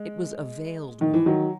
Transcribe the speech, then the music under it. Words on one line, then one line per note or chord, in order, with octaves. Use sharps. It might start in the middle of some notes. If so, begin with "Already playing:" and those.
It was a veiled one.
Already playing: G#3
D#3
E3
D#3 F#3